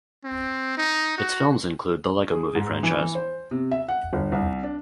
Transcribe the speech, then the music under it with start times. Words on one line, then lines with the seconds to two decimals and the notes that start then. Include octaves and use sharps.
Its films include "The Lego Movie" franchise.
0.24 C4
0.77 D#4
1.18 F#4
2.31 G#4
2.55 G#2
2.83 E3
2.98 E3
3.15 C5
3.51 C3
3.71 E5
3.88 F#5
4.13 G1
4.32 C2
4.63 D4